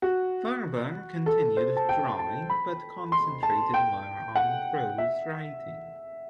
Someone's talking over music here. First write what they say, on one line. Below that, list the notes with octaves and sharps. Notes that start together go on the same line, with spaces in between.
Faerber continued drawing, but concentrated more on prose writing.
F#4
A4
C5
A5
G5
A5
B5
C6
A5
G5
F#5
E5